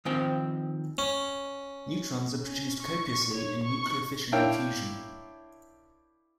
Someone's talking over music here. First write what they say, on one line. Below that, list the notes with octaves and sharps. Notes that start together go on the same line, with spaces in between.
Neutrons are produced copiously in nuclear fission and fusion.
D#3 F3 C4 G5
C#4
C#4
C#6
C#5
C#6
D4 E4 A#4 C#5 F5 G5